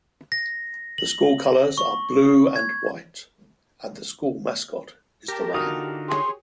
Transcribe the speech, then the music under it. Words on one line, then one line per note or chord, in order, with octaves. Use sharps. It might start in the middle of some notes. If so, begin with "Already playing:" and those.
The school colors are blue and white and the school mascot is the ram.
A#6
F#7
C#6
G#6
G4 A#4 A5
D3 D#4 F4 F#4 A#4 D#6
G4 G#4 C#5 C6